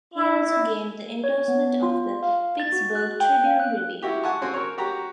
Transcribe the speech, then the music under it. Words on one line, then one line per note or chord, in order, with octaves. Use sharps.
He also gained the endorsement of the "Pittsburgh Tribune-Review".
E4
C#5
B3
F4
F5
A6
F#4
F#6
G5
F5
F#6
E4 F#4 G4
F#5 G#5 A5 C#6
C4 F#4 C5 F#5 G#5
A#4 C#5
F#4 G4 A#5